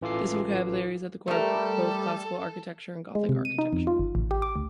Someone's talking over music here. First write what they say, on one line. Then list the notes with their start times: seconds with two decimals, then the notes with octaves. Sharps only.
This vocabulary is at the core of both classical architecture and Gothic architecture.
0.02 A1 E3 F4 A4 D6 C7
1.28 G3 A3 A4 A#4
3.15 G#3
3.29 C3
3.45 D#7
3.58 D#4
3.72 F2
3.87 F4
3.99 G1
4.15 A1
4.31 G4
4.42 D6
4.55 D2